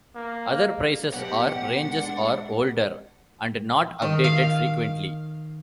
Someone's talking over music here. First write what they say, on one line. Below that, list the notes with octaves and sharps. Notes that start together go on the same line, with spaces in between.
Other prices are ranges or older and not updated frequently.
A#3
B2 F#3 G4 F#5
G#3 D4
D#3
F5